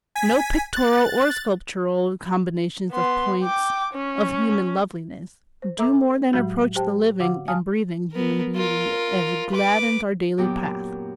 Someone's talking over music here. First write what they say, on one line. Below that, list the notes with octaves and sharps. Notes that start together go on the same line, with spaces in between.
No pictorial or sculptural combinations of points of human loveliness, do more than approach the living and breathing human beauty as it gladdens our daily path.
G#5 B6
F#6 A6
B3 C6
G5 D6
C#4
C5
A4 E5 A#5 D6 E6
A2 F#3 G#3 F#4 G6
G4 C5 G5 A5
D3 F#4 F5 F#5 D6
F5 G#5 A5 D#6 F6
B3 A#4
F4 A#4
B4 D6
F#2 A#2 F#3 B3 G4 G5